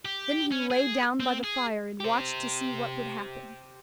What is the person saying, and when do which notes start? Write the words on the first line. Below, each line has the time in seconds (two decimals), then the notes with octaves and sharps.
Then he lay down by the fire and watched to see what would happen.
0.05 G4
0.52 C#4
0.71 G#4
1.20 C4
1.44 G#4
2.00 G4 C5